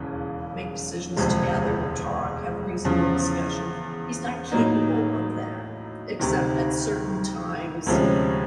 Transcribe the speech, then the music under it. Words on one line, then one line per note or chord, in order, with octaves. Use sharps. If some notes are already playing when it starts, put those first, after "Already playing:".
make decisions together, talk, have a reasonable discussions, he's not capable of that except at certain times,
Already playing: E1 D#2 C#3 E3
E1 D2 C3 F3 G#3
E2 C#3 F3
A2 F#3 A#3 D#4
D2 C3 D#3
D2 C3 F3 G#3 C#4